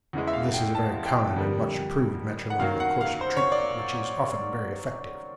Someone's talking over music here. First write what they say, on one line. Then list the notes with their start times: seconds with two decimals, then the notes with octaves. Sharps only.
This is a very common and much-approved matrimonial course of treatment, which is often very effective.
0.13 E2 C#3 E3 G#3
0.27 E5
0.33 F5
0.54 G5
0.75 A5
1.06 G5
1.36 F2 D3 G3 A#3
2.50 F#5
2.59 F#2 D#3 F#3 A#3 F5
2.80 F#5
3.01 F5
3.21 C5
3.37 C#5
3.52 D5